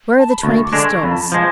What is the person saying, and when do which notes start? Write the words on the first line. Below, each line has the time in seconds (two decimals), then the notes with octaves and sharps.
"Where are the twenty pistoles?"
0.19 A5
0.31 B5
0.43 D2 C#6
0.63 D6
0.73 D3 G#3 D4
0.83 C#6
1.03 F2 B5
1.12 A5
1.21 B5
1.32 F3 G#3 A5